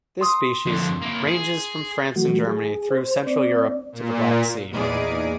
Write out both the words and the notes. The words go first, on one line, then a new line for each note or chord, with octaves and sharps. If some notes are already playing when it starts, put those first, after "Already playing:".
The species ranges from France and Germany through central Europe to the Black Sea.
C6 D#6
F2 D3
A#3 E4
G#4
E3 F#3 A3 F#4
G#4
C5
C4 D5
A#2
E2 A#2 D#4 G#4 D5